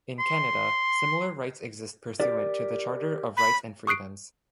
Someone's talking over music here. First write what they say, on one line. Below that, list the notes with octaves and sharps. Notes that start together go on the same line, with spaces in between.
In Canada, similar rights exist pursuant to the "Charter of Rights and Freedoms".
C6
G4 A#4 D5
B5
C#6 D#6 F#6 C7 D7